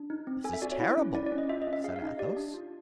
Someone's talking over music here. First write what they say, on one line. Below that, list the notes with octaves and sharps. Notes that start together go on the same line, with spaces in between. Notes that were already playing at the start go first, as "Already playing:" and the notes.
"This is terrible," said Athos.
Already playing: D4
D#4
C4
A4 G#5
E5
F#4 D5
C#5
E4
C#4
E4 D5
D5
C#4
D#5
F4 E5
D#5
C#4
E5
G#4 F5
F5
D#4
D#5
G4 D5
D4
F4